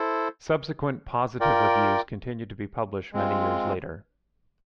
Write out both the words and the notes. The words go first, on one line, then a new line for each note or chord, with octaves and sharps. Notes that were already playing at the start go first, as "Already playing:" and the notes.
Subsequent positive reviews continued to be published many years later.
Already playing: E4 A4 C5
F4 A#4 D5 G5
G#3 C4 F4